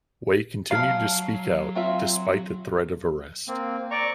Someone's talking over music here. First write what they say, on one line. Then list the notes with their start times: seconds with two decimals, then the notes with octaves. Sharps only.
Wei continued to speak out, despite the threat of arrest.
0.71 F#3 F5 A5 A#5 F6 C7
1.75 C4 F4 E5
3.48 A#3 C4
3.91 D5 A#5 C#6